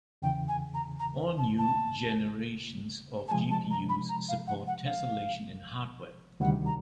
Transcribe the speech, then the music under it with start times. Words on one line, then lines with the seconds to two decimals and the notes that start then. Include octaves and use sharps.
All new generations of GPUs support tesselation in hardware.
0.22 E2 C#3 E3 G5
0.48 G#5
0.74 A#5
0.99 A#5
1.38 A5
1.58 A5
3.28 A5
3.31 C3 F3 G#3 G#5
3.50 A5
3.70 A#5
3.89 B5
4.09 A#5
4.28 F5
4.47 F#5
4.67 F#5
4.85 F5
6.40 D2 C3 D#3 G3 F#5
6.65 A#5